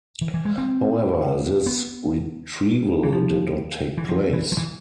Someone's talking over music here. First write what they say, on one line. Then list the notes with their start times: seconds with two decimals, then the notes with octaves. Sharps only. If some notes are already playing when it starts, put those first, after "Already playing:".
However this retrieval did not take place.
0.21 E3
0.34 E3
0.45 G#3
0.58 C4
1.66 B3
3.03 E3
3.12 F3
3.97 E3
4.09 F3
4.33 E3
4.52 F3
4.57 E3